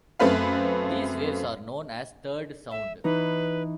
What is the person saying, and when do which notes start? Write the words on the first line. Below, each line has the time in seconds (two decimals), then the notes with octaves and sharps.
These waves are known as third sound.
0.19 F#2 A3 C4 B4 F5
2.71 E5
3.04 E3 D#4 B4